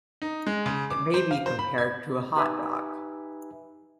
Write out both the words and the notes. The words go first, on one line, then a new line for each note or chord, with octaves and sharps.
It may be compared to a hot dog.
D#4
G#3
C#3
D6
C5
F5
C5
B5
G#6
D#4 G4 B4 E5 G#5 B5